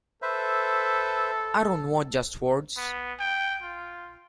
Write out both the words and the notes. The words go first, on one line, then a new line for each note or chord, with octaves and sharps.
I don't want just words.
A4 B4 C5 E5
B3
G5
F4